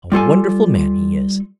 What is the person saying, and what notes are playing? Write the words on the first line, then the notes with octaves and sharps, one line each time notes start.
A wonderful man he is.
G3 F4 A4 G#5